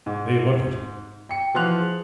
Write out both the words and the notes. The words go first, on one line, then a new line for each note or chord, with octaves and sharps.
"They look it."
G#2
G5 C#7
E3 F3 F#4 C6 F#6 F7
G#4